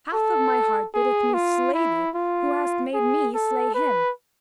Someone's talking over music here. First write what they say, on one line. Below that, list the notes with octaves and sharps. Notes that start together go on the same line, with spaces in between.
Half of my heart biddeth me slay thee, who hast made me slay him.
A4
G#4
F4
E4
F4
G#4
A4
B4